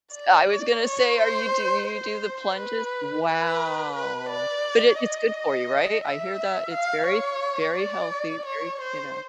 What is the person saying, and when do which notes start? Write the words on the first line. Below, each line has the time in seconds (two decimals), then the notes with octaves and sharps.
S I was gonna say, are you do you you do the plunges? Wow. But it it's good for you, right? I hear that it's very, very healthy. Very, you know
0.14 D5
0.84 C#5
1.18 C5
1.88 C5
2.57 B4
3.27 B4
3.96 B4
4.30 D5
5.00 D#5
6.04 E5
6.72 F5
7.07 C#5
7.77 D5
8.46 C#5
8.80 C5